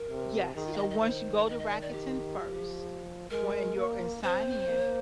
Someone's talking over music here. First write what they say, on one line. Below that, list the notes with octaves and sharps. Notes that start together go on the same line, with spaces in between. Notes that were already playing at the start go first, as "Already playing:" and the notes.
Yes, so once you go to Rakuten first, when you're and sign in,
Already playing: A#4
C3
D#3 G#4
F4
F5
D#5
D#5
D#3 C5
D#5
D#5
D5
D5
G4
F3
G#3 A#4
A#3
C4 C5
A#3